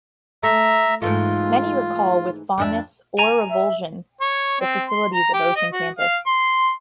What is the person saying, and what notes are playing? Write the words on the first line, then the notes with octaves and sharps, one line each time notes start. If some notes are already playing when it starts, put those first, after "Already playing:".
Many recall with fondness or revulsion the facilities of Ocean Campus.
A3 E5 A#5
G#2 E3 A3 F4
F2 D4 E5
G#5 A#5
E5
C#5
C4
C6
A#5
G4
D#5
F#4
F5
C6